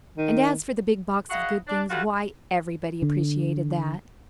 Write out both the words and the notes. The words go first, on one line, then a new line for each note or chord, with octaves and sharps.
And as for the big box of good things, why, everybody appreciated that.
D#3
E4 F#4 G#4 D#5 F5 F#5
D4
E3 G3 A3 F4 F#4
D3